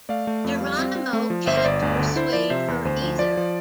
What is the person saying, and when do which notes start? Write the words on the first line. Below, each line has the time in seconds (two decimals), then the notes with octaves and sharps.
Geronimo can't persuade her either.
0.09 A3 D5 F5
0.27 A3
0.45 F2
0.61 G3
0.79 C4
0.95 C4
1.13 A3
1.30 F3
1.47 G1 C5 E5
1.57 C5
1.65 G1 D5
1.82 D2
1.99 D3
2.16 E4 C5
2.33 F3 D5
2.50 C3 C5 E5
2.68 E2
2.85 D2 C5
3.02 F3 C5
3.19 F3 D5
3.37 F3